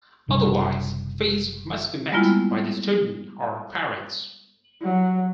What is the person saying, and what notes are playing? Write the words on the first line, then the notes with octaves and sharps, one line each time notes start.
Otherwise fees must be met by the student, or parents.
F#1 C3 G3 D4
G3 G#3 A#3 B3 E4 F4
F#3